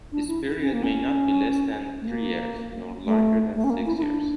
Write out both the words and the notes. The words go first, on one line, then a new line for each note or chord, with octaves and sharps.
This period may not be less than three years nor longer than six years.
D4
E4
C#4
A#3
C#4
A3
A#3
A3
A3
C#4
A#3
E4
E4
D4